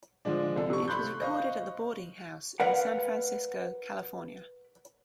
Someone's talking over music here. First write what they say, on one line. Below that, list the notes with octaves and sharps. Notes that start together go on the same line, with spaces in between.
It was recorded at The Boarding House in San Francisco, California.
D3 F3 G#3 D4
C2 A4
C3 C#6
B5 C6 F#6 G6
C5 D#5 F5 C#6
A#4 B4 D5 F5 F#5